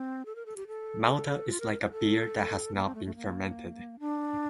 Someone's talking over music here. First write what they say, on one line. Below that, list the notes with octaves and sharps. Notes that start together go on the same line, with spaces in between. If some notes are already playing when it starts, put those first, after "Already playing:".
Malta is like a beer that has not been fermented.
Already playing: C4
A4
A#4
A4
G4
A4
F4
A#4
A#4
C5
A4
A#3
C4
A3
A3
A#3
D4